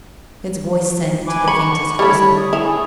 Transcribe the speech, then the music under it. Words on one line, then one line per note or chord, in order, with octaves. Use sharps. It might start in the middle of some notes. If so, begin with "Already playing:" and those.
His voice sank to the faintest whisper.
B4 G#5 D6
D3 B5 C#6 C#7
G3 A3 E4 C#5 B5
D#6
A3 E4 G#4 F7